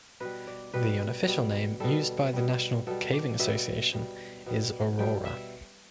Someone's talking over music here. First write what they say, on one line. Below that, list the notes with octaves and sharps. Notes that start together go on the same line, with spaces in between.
The unofficial name used by the national caving association is "Aurora".
B2 G3 B4
D5
B2 G3 B4
B2 G3
B2 G3 A4
B2 G3
B2 G3 A4
D5
B2 G3 E5
B2 G3
B2 G3
B2 G3 G5
E5